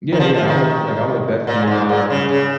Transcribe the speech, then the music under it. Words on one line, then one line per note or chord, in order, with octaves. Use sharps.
Yeah, yeah, I would, like, I would definitely, um,
D#3
F3
F3
D#3
A#2
G#2
A#2
C#3
C#3